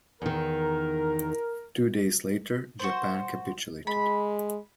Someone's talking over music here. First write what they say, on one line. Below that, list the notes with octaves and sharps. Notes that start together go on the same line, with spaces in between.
Two days later, Japan capitulated.
E2 D#3 A#4
F#4 C5
G#3 B5